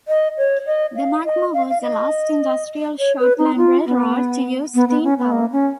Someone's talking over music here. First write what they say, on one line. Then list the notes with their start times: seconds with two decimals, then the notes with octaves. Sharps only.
The Magma was the last industrial short line railroad to use steam power.
0.08 D#5
0.38 C#5
0.66 D#5
0.96 F5
1.25 D#5
1.54 F5
1.70 F5
1.82 D#5
2.99 C#5
3.19 B4
3.38 D#4
3.57 F4
3.87 B3
4.75 B3
4.89 B3
5.04 C#4
5.19 B3
5.32 A#3
5.52 C#4